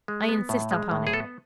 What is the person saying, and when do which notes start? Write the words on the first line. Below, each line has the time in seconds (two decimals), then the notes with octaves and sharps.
I insist upon it.'
0.08 G#3
0.29 B3
0.49 A2
0.71 G#3
0.91 A2
1.07 G#4
1.13 B3 A4